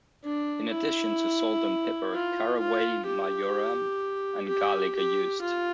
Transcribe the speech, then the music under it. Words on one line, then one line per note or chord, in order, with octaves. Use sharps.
In addition to salt and pepper, caraway, marjoram, and garlic are used.
D4
E4
F4
F4
G4
G4
G4
F4